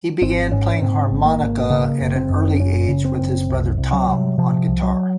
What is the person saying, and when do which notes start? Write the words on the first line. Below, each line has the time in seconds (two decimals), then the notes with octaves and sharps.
He began playing harmonica at an early age with his brother Tom on guitar.
0.22 G#1 C4
0.52 G#2 C#4
0.81 G#2 C4
1.11 G#1
1.26 A#3
1.40 G#1
1.70 C#3 A#3
2.00 F#1
2.16 C4
2.30 F#2
2.60 F#1 C#4
2.89 C#3
3.05 C4
3.19 F#1
3.49 C2
3.78 C2
3.93 F#3
4.08 C3
4.38 C3 F3
4.68 C2
4.83 F#3